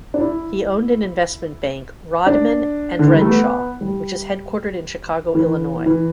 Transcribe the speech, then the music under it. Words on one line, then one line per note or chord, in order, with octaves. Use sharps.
He owned an investment bank "Rodman and Renshaw" which is headquartered in Chicago, Illinois.
D4
E4
D4
D3
E3
G3
A3
B3
G3
E3
E3